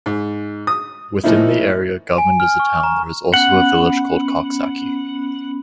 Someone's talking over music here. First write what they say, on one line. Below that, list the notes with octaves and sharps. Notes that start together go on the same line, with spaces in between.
Within the area governed as a town, there is also a village called Coxsackie.
G#2
D#6
A2 E3 F3 A#3 D#4 E4
G#5
F6
C#6
A#5
B3 C#4 F#5 B5